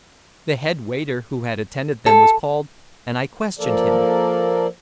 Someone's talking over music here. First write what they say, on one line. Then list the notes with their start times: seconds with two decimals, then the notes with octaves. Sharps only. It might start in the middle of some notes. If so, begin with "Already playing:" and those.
The head-waiter who had attended them was called, and I questioned him.
2.06 A4
3.59 F3 A#3 A4 A#4 D5